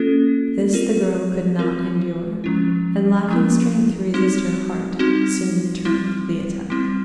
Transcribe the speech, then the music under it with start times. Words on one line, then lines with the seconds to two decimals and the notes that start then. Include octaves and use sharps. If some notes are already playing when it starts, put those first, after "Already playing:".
This the girl could not endure, and lacking strength to resist her heart, soon returned to the attack.
Already playing: A#3 C#4 F4 A4
0.73 C4 F4 A#4
1.59 C4 F4 A#4
2.44 F3 G#3 C#4 E4
3.29 F3 G#3 C#4 E4
4.14 G3 C4 D#4 F#4
4.99 G3 C4 D#4 F#4
5.85 G3 C4 E4
6.70 G3 C4 E4